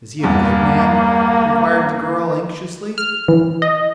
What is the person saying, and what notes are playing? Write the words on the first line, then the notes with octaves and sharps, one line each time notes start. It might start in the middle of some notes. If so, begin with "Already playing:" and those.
"Is he a good man?" inquired the girl anxiously.
E2 G2 A#3
F6
E3
D#5